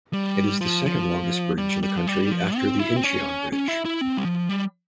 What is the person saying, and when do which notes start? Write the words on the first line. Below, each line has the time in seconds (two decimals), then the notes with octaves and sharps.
It is the second longest bridge in the country after the Incheon Bridge.
0.13 G3
0.61 F3
0.86 F3
1.58 G3
1.83 G3
1.97 F3
2.07 G3
2.32 F3
2.56 C4
2.79 E4
2.96 C4
3.04 C#4
3.52 C#4
3.68 E4
3.85 E4
4.01 C4
4.17 G3
4.25 F3
4.49 G3